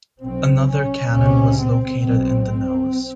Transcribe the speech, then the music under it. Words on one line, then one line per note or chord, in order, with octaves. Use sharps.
Another cannon was located in the nose.
B1 B2 C4
C#4
C#2 C3 C#4
C4
B1 B2 C4